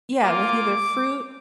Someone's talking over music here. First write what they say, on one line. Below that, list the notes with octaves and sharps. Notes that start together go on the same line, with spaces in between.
Yeah, with either fruit,
A#3 F4 D6